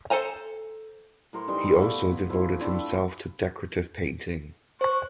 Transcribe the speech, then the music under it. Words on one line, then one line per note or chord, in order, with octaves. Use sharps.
He also devoted himself to decorative painting.
A4 C5 G#5 A#5
A2 E4 A#4 C5
E3 G3 D#4 C6
A#3 B3 E4
A3 B3 E4
F3 E4
C4 D4 E4 F4
C5 C#6